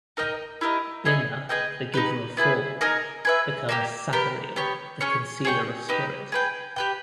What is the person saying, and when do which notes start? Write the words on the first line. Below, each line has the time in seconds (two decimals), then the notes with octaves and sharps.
Binah, the giver of form, becomes Sathariel, the concealer of spirit.
0.17 D#4 A#4 D#5 G5
0.61 E4 G4 A#4 D#5
1.05 E4 G#4 D#5 G#5
1.49 G#4 B4 D#5 G5
1.94 D#4 G4 B4
2.37 B3 E4 G#4 B4
2.81 D#4 A#4 D#5 G#5
3.25 G#4 B4 E5
3.69 A#3 D#4 G4
4.13 B3 G4 A#4
4.56 B3 G4 C#5
5.01 C#4 G#4 C#5
5.45 G#4 C#5 G5
5.88 D#4 G4 B4
6.32 G#4 B4 G5
6.76 G4 B4 G5